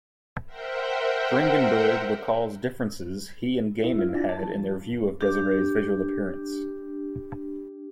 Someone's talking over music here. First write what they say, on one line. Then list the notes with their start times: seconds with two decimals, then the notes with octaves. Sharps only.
Dringenberg recalls differences he and Gaiman had in their view of Desire's visual appearance.
0.46 A#4 C5 E5 F#5 G5
3.84 E4
3.99 F4
4.15 D4
4.29 A5
4.42 F3
5.21 D4 G4